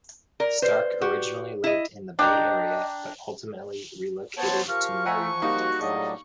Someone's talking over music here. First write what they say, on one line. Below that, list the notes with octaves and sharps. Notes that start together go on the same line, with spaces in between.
Stark originally lived in the Bay Area, but ultimately relocated to Maryland.
A#4 D5
B4 C5 D5 C7
F#4 G4
E4 D#5
D4 D#5 G5 A#5
B3 C5 C#5 A5
F3 G4 A#4 F5 C#6
A3 F#5 G#5 A#5
G3 A#3 D#4 F#4
A2 F#3 D4 G#4 D5 D#5